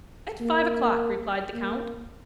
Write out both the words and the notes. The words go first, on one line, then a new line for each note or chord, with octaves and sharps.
"At five o'clock," replied the count.
A#3
A#3